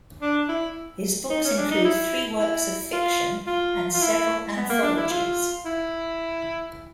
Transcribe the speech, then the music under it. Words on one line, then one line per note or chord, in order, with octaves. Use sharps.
His books include three works of fiction and several anthologies.
D4
E4
D#4
C#4
D4
D#4
E4
E4
F4
F4
F4
E4
B3
A#3
D4
E4
F4
E4